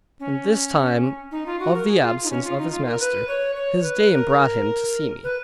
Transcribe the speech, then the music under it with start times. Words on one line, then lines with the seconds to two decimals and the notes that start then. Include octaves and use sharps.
In this time of the absence of his master, his dame brought him to see me.
0.20 C#4
1.31 D#4
1.46 F4
1.59 F#4
1.74 A#4
1.88 G#4
2.02 F4
2.24 D#4
2.30 C#4
2.44 F4
2.58 D#4
2.71 F4
2.85 A#4
3.00 B4
3.28 C#5
3.55 C#5
3.83 B4
4.12 A#4
5.24 B4